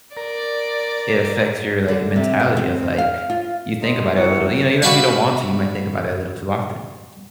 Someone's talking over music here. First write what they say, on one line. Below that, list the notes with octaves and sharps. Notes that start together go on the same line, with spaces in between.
it affects your, like, mentality of, like you think about it a little, you know, even if you don't want to, you might think about it a little too often.
A#4 D5
D3
C3
B3
C4
F5
F4
D#4 C6
C4 E4 F#4 E5 G5 C#7
F#4 B4 D5 E5 F5 A5